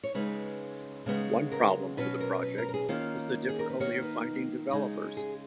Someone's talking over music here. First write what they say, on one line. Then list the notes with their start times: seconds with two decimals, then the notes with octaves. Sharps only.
One problem for the project is the difficulty of finding developers.
0.04 C#5
0.15 C#3 G#3 D#4 B4
1.06 C#3 G#3 B3 D#4
1.52 A#4
1.97 B2 F#3 C#4 B4
2.20 A#4
2.43 B4
2.58 A#4
2.69 A#4
2.74 G#4
2.88 D#3 A#3 C#4 F4
3.49 G#4
3.59 A#4
3.70 B4
3.80 D#3 A#3 D#4 C#5
4.03 B4
4.71 C#3 G#3 D#4
5.17 G#4